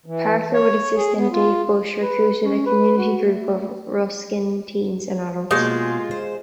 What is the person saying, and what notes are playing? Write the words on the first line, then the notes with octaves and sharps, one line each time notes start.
Parker with assistant Dave Bush recruited a community group of Ruskin teens and adults.
E3
C#5
G#4
B3
F4
B4
C#4
B4
F#4
A3
B2 G#3 A#3 F4 G4 C#5 D#6
C5